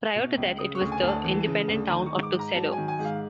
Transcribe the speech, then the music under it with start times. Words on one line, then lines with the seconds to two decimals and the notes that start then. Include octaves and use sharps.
Prior to that it was the independent Town of Tuxedo.
0.15 B2
0.37 C#2
0.58 C#3 D#6
0.75 C#6
0.81 D2
0.92 G#5
1.02 D2
1.08 A5
1.24 E3
1.46 C#3
1.68 D2
1.89 D#3 A#5
2.06 C#6
2.12 G#2
2.23 D6
2.33 G#2
2.39 A#5
2.55 F#3 A5
2.72 G#5
2.77 D#3
2.88 G#5
2.99 G#2
3.05 F5